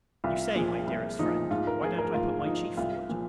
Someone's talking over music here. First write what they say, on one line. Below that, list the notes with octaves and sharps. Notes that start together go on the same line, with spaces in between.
You say, my Dearest Friend, why don't I put my Chief forward?
C2 F4
A#2 F3 G#4
C2
A#2 F3 D#4
G#2 F4
A#4
F3 G#4
A#4
G#2 F4
F4
F3 D#4
C2 F4
A#2 F3